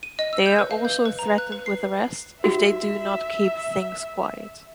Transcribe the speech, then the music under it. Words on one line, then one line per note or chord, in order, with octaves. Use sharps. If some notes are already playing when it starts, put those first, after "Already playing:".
They are also threatened with arrest if they do not keep things quiet.
D#7
D#5
E6
G6
B4
F5
G6
B4
A#5
F#6
B4
C7
F#4 E5